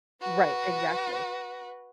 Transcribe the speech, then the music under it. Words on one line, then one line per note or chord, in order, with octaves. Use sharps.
Right, exactly.
F#4 B4